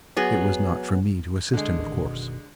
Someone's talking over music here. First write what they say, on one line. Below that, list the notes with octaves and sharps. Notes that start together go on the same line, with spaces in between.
It was not for me to assist him, of course.
F#3 B3 G#4
D3 G#3
A1 D#3
F#1 B2 D#3